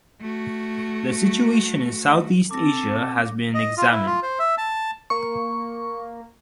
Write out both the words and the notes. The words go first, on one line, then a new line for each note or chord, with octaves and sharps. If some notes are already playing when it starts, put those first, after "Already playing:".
The situation in Southeast Asia has been examined.
A3 F#4
C4 A4 D6 A#6
D#5
F4
E4
F4
C5
E5
A5
A#3 C#6